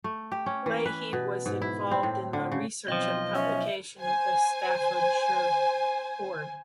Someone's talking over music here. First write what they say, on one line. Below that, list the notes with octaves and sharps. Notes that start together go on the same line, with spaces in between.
Leahy was involved in the research and publication of the Staffordshire Hoard.
A3
G4
C#4
E3
B4
B2
G#2
E4
C4
A2
D3
C#3
B1 F3 C4 D#5
C#4 E5
C5 G#5